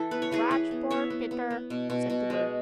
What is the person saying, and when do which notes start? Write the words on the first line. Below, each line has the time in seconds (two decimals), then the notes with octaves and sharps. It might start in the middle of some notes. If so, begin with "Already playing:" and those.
"Scratch poor Peter," said the bird.
Already playing: E3 A4 E5
0.11 B3 B4
0.22 C#5
0.31 E3 G#4 B4
0.51 E3 G#4 B4
0.71 B3
0.90 B3 C#5 E5
1.10 B3
1.31 B3
1.50 B3
1.70 B2
1.90 B2
2.10 B2
2.30 G#3